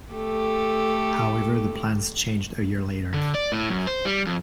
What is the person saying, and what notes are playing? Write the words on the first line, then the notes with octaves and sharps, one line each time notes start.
However the plans changed a year later.
A3 G4 A4
D3
D5
A2
F#2
C5
G3
F2